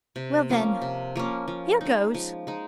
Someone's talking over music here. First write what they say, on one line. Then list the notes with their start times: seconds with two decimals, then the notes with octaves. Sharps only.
"Well, then--here goes!"
0.16 C3
0.49 F3 A#3 C#4
0.82 C3
1.16 F3 A#3 C#4
1.48 F3
1.81 G#3 D#4
2.14 F3
2.47 G#3 D#4